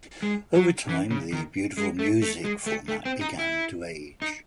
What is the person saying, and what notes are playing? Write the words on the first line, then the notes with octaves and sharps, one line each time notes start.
Over time, the Beautiful music format began to age.
G#3
F#3
E3
C#3
D#3
G#3
A3
A3
G#3
A3
A3
C4
D#4
E4
D#4